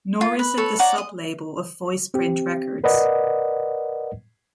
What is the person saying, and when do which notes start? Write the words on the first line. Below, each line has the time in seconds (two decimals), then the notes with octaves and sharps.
Nor is it the sub-label of Voiceprint Records.
0.21 F4
0.39 B4
0.57 A4 B4 C#5
0.79 C#5 D5 F#5 A#5
0.98 D#5
2.14 C4 G4
2.84 A#4 B4 D5 D#5 F#5